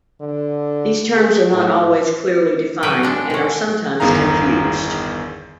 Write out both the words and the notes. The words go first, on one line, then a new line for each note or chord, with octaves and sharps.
These terms are not always clearly defined, and are sometimes confused.
D3
G#4
A2
C#3 F#3 B4 G5
G#3 D4
C3 C#4
G1 E2 D#3 G#4 F5 A#5